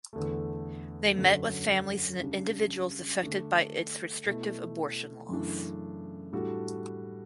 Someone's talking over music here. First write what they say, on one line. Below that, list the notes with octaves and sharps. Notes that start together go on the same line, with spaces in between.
They met with families and individuals affected by its restrictive abortion laws.
E2 D3 A3
F#2 D3 F#3
C#3 G3 D4
D3 A3 D4
B2 A3 E4
F#2 C#3 E3 A3 D4
A2 G3 D4 F#4 A4